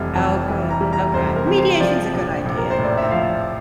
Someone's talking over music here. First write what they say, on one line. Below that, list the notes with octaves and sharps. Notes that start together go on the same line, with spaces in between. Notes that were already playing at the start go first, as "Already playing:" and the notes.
Oh, good, okay mediation's a good idea, yeah.
Already playing: F1 E3 G3
F2 A5
E3
A#5
G3
A#5
F1 C5
A#4
F2
C5
F3 D5
A#1
A#1
A#4
C5
A2
D5
E5
F3 F5